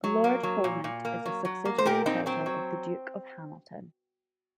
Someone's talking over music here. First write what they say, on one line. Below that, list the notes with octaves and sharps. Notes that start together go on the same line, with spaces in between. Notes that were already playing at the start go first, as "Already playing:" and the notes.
Lord Polmont is a subsidiary title of the Duke of Hamilton.
F#3
A#3
F#3
A#2
A#2
A#3
F#3
F#3
A#3
C5
A#2 G4 A#4
A#2 C4 D#4
F#3 C4
F#3